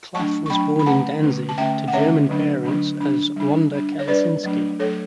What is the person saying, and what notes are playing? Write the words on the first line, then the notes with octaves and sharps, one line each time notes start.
Klaff was born in Danzig to German parents as Wanda Kalacinski.
F#3 A3 D4 A5 C#6
C#6
F#3 A3 D4 G5 B5
B5
D3 A3 C#4 F#5 A5
D3 A3 C#4
A5
D3 A3 C#4 E5 G5
F#5
D3 A3 C#4 C#5 E5
D3 F#3 A3 D4
D3 F#3 A3 D4
G3 D4
G3 D4
G3 D4
C#5
G3 D4 B4 D5
F#3 A3 D4
F#3 A3 D4 A4 C#5